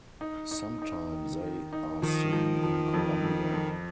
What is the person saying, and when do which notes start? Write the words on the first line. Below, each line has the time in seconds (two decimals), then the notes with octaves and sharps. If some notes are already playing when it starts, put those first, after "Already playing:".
Sometimes they are seen in Colombia.
0.21 D#4
0.51 D#4
0.82 D#4
1.12 D#3
1.41 D#3
1.73 D#4
2.02 D#3 F3
2.33 F3
2.63 F3
2.94 F2
3.24 F2
3.54 F2